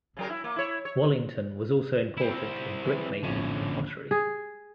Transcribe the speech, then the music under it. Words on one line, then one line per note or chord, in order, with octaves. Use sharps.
Wallington was also important in brickmaking and pottery.
C#3 F#3 A#4
E4
A#3
E4 C#5
C#5
C4 E4
E3
A#1 F2 A2 D3 C#4
G#4